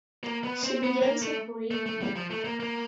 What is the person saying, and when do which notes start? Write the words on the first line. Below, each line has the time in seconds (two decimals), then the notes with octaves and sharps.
She began to breathe.
0.24 A#3
0.44 B3
0.63 C4
0.83 B3
1.02 A#3
1.22 A3
1.71 A3
1.86 A3
2.01 G3
2.16 F3
2.30 A3
2.44 A#3
2.60 A#3